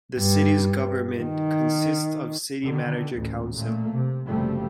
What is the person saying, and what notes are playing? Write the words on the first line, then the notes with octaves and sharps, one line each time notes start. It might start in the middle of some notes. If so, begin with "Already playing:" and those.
The city's government consists of city manager-council.
G2
D#3
D3 D#3
A1 D2
A#2 A3 A#3
C3
F#1 C3 F3 G3 A3